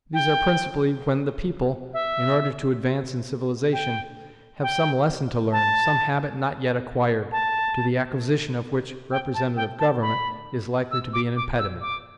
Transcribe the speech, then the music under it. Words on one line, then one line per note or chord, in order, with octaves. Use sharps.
These are principally when the people, in order to advance in civilization, have some lesson to learn, some habit not yet acquired, to the acquisition of which representative government is likely to be an impediment.
G5
E5
G5
G5
A5
A5
G5
A5
G5
A5
B5
E6
D6
D6
E6
D6